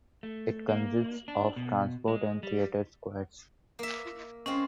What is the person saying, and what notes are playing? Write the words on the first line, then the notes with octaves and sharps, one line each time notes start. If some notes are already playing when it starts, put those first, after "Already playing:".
It consists of Transport and Theater squares.
A3
A#3
D4
B2
G#3
G3
A#3 E5
G#3 C4 C#4 F4